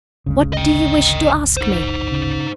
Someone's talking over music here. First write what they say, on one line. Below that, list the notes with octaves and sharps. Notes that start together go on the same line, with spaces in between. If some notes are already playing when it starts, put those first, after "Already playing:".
"What do you wish to ask me?"
G#1 D2 C#3 G#3
D#5 G5
D#4 C5
C#3